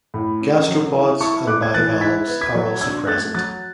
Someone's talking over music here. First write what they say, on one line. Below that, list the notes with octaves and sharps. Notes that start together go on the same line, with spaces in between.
Gastropods and bivalves are also present.
A2
C#4
F#3
E4
E4 A5 C#6
A3 D6 F#6
G#6
E3 F#6 A6
E4 G#6 B6
B3
G#6 B6
F#3
D4 E6 G#6
A3 F#6 A6
F#3 F#6 A6